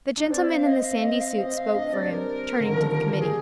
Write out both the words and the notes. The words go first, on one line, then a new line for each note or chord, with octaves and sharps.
The gentleman in the sandy suit spoke for him, turning to the committee.
D4
C4 D5
F5
D#5
F5
C4 D#5
F5
C4 D#5
F5
D4 D#5
C4
G3 D5
D4
C4 A#4
D3
D#3
F3
G3
G3 G#4